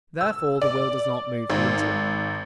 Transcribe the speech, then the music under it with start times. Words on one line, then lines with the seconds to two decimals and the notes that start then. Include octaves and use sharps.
Therefore the will does not move the intellect.
0.21 E6
0.62 D5
1.50 G#1